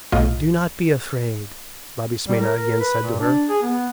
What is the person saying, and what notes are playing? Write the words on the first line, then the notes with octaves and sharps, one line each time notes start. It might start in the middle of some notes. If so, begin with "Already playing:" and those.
"Do not be afraid," Labismena again said to her.
B1 A2 F4 D#5
G3
A#4
A#4
B4
A#2
D4
G#4
B3